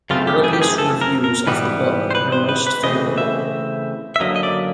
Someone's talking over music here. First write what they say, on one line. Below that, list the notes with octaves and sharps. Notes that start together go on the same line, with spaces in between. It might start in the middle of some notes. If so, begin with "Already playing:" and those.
The earliest reviews of the book were most favourable.
F#2 C#3 F3 A3 C4 F4
G4
G#4
G4
G#4
A4
A#4
A#4
G#2 E3 G3 B3 B4
C5
B4
C5
B4
B4
C#3 E3 A3 C4 D#5
E5
E5
F#2 D3 F#3 A#3 D#5
D#5
D5